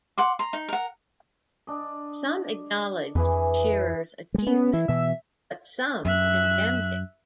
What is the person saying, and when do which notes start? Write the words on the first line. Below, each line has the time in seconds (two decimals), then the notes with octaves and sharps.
Some acknowledged Shirer's achievement but some condemned it.
0.18 F#5 C6 D6
0.39 A#5 C6
0.53 D#4
0.69 A#4 F#5
1.67 D4 D#5
3.15 F2 E3 G#4 B4
4.34 G3 G#3
4.47 B3 C#4
4.73 E3 E4
4.88 B2 E3 E5
6.05 F#2 E5 F#6